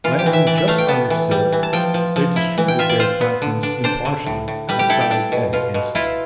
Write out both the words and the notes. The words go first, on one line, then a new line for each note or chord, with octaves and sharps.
Landing just on the sill, they distributed their contents impartially outside and inside.
E3 F4
G4
E3
E5
E3 D5
E5
A3 F5
G5
B3 A5
E3
G3
E3
A5
F3 G5
F3
F3
E4
E3
G5
F4 E5
D5
F4 C5
B3
D3
D4
D4 C5
D3
A2
A2
G3 B4
G4
E4 A4
G4
D4
B2
B2 F4
B2
E4 F4